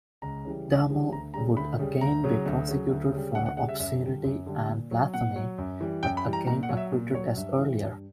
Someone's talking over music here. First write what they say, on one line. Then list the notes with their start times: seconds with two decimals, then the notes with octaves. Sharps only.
Dehmel would again be prosecuted for obscenity and blasphemy, but again acquitted as earlier.
0.22 C#2 A#5
0.45 C#3 E3 G3
0.68 C#2
0.89 C#3 E3 G3
1.12 D2 A#5
1.34 C#3 G3 A#5
1.56 D2 B5
1.79 C#3 G3
2.01 D2 A#5
2.24 C#3 F#3
2.46 D2
2.68 C#3 F#3
2.90 D2
3.12 C#3 G3
3.35 D2 F#5
3.46 F#5
3.57 C#3 F#5
3.60 G3
3.69 E5
3.80 F#2 E5
4.02 D3 G3
4.24 F#2
4.46 D3 G3
4.68 A#2
4.91 F#3
5.14 A#2 F#5
5.36 F#3
5.58 F#2
5.81 E3 G3
6.03 F#2 G5
6.17 B5
6.25 E3 G3
6.33 A#5
6.47 A#2 A#5
6.63 F#5
6.69 F#3
6.77 E5
6.92 A#2
7.15 F#3 C#5
7.37 G2 E5
7.59 E3 G3
7.81 G2